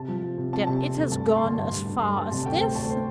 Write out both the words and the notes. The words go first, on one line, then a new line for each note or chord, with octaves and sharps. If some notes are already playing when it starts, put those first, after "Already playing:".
"Then it has gone as far as this?"
Already playing: C3 A5
F3
F3
C3
C4 A5
C3 A5
C4
D2
G2 A5
A3 A5
C6
D3 A5
G2
G2
G2
G2 C6
G2 A5
C3 A5
D2 G5
A3 C5
D2 A5
C5